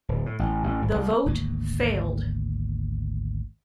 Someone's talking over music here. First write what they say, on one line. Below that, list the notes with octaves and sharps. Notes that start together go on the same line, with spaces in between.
The vote failed.
D1
A2
A1
A1
G#1
C2
G#1 D2 A#3